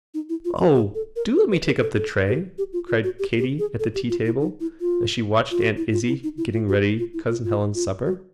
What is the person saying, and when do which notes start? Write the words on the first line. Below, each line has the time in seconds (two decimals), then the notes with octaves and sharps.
"Oh, do let me take up the tray," cried Katy at the tea-table, as she watched Aunt Izzie getting ready Cousin Helen's supper.
0.14 D#4
0.29 E4
0.45 F4
0.60 F#4
0.75 G#4
0.95 A4
1.16 A#4
1.36 A#4
1.51 B4
1.66 A#4
1.82 A4
1.97 A4
2.27 G4
2.58 G4
2.73 F4
2.88 F4
3.04 F#4
3.19 G4
3.38 G4
3.59 G#4
3.80 A4
3.95 G4
4.10 F4
4.25 E4
4.40 D#4
4.60 E4
4.80 F4
5.51 F4
5.61 F#4
5.77 E4
5.92 F4
6.08 E4
6.23 D#4
6.38 E4
6.53 F4
6.69 F#4
6.99 F4
7.14 E4
7.30 F4
7.45 F4
7.75 F4
8.06 F#4